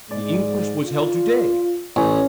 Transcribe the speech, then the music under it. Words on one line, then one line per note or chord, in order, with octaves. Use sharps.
The inquest was held to-day.
G#2 G#3 D5
F4
A1 C#4